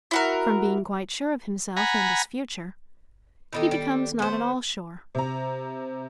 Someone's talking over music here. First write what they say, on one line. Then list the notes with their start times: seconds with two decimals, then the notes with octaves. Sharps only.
From being quite sure of himself and his future he becomes not at all sure.
0.11 E4 F#4 A#4
1.77 F#5 G#5 A#5 B5
3.53 D#3 E3 B3 D#4 G4 A4
3.71 G3 D4
4.19 B3 C5
5.15 C3 A#5